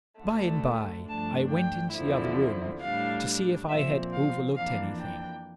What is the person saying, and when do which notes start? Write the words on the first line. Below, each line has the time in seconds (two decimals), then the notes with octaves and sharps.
By-and-by I went into the other room to see if I had overlooked anything.
0.21 D2 D3 A3
1.08 G2 F3 A3 D4 A5
1.52 G5
1.95 E2 D3 F3 C4 E4
2.82 A2 G3 D4 F5
3.69 A#2 F3 C4 E5
4.13 F5
4.56 F2 E3 A#3 D4 F5
5.00 G5